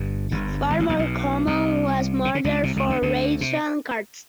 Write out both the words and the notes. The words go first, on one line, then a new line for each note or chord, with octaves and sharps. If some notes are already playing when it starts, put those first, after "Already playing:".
Far more common was murder for ration cards.
Already playing: G1 G2
G1 G2
G#1 G#2
A1 A2
A#1 A#2
B1 B2
C2 C3
C#3
D3
C#2 C#3
C2 C3
C#2 C#3
D2 D3
D2 D3
C3